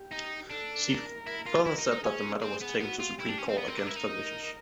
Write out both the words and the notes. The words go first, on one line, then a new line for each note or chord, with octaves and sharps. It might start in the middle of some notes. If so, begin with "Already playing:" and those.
She further said that the matter was taken to Supreme Court against her wishes.
Already playing: G4
D#4
D4 A4
A#4
E4
F4
E4 A#4
D#4
D#4
C#4 G#4
C4
B3
B3 F#4
F4
E4 G4
D4
C#4
C4
B3 A#4
C4
D4
E4
D#4